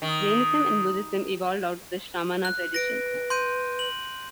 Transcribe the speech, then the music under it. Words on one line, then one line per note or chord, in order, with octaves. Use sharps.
Jainism and Buddhism evolved out of the Shramana tradition.
D#3
F#6
B4 A#6 D7
C6 G6 D#7
F#7